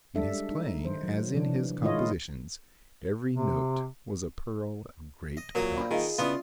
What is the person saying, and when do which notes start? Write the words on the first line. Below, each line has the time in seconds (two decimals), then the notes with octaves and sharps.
In his playing, as in his compositions, every note was a pearl of great price.
0.15 G3 G#3 D4 A4 E5
0.51 D#4
0.85 D#3 C5
1.04 F#3
1.34 C3 E3 F3 D4
1.83 D#3 G#3 E4 F4 C#5 D#5
3.31 C3
5.37 D#5
5.55 A#2 F#3 A#3 D#6
5.78 C4 D4 B5
5.91 D#3 F4 G#4 D#5 F5
6.19 C#3 B3 D4 E4 F4 F5 D#6